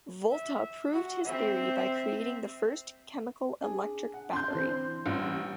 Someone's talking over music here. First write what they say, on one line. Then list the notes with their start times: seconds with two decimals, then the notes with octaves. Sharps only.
Volta proved his theory by creating the first chemical electric battery.
0.31 E5
0.93 F#4
1.25 C4 E5
3.61 D4 G#4
4.14 F#5
4.33 D4 C6 G6
4.51 E3 C4 D4
5.06 A1 A#2 G3